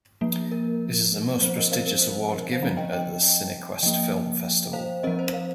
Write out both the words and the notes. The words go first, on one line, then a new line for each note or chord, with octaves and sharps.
It is the most prestigious award given at the Cinequest Film Festival.
F3 A#3
A#4
F3 C4 C5
A#4 D#5
C5 F5
A#4
C5
A#4
C5 F5
F3 C4 F5 A#5
D#5 G5
D#5 G5
D#5 G5
F3 A#3 D#5 G5
C5 F5
F3 C4 A#4 D#5
C5
C5 F5